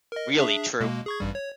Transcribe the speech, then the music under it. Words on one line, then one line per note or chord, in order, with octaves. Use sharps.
Really true.
A#4 D#5
D4 G#4 E5
B2 G#3 A#3
G#4 C#6 G#6
A1 G2 G3
C#5